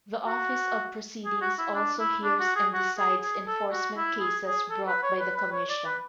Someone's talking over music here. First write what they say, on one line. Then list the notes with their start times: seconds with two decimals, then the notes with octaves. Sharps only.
The Office of Proceedings also hears and decides enforcement cases brought by the Commission.
0.26 F#4
1.25 G#4
1.42 F#4
1.59 E4
1.75 D4
1.99 E4
2.23 D4
2.40 F#4
2.56 G#4
2.73 F#4
2.98 G#4
3.22 G#4
3.47 A4
3.72 F#4
3.97 E4
4.20 G#4
4.45 G#4
4.70 A4
4.87 B4
5.03 C#5
5.19 B4
5.36 B4
5.52 C#5
5.69 D5
5.85 B4